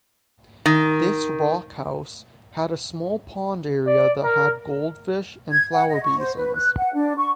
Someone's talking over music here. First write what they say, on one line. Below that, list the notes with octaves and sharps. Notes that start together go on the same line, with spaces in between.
This Rock House had a small pond area that had goldfish and flower basins.
D#3
D5
A#4
G#6
F#5
D#5
C#6
C5
B4
F#6
F#5
D4
C#6